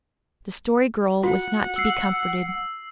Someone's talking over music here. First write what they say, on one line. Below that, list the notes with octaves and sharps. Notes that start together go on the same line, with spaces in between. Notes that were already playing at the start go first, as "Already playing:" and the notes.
The Story Girl was not to be comforted.
F4 F#4 F#5
E6 C7